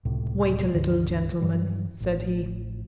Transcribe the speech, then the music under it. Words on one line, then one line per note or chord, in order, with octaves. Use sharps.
"Wait a little, gentlemen," said he.
C#2 A2 C3
C#2 G2 D3 E3
G2 E3 F#3 G3
A1